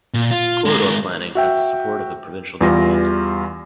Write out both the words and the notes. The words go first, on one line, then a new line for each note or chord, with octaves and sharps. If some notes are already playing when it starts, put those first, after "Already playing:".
Corridor planning has the support of the provincial government.
A#2
F4
G#3 A#4
F#4 E5 G5
E2 E3 G3 F4 A#6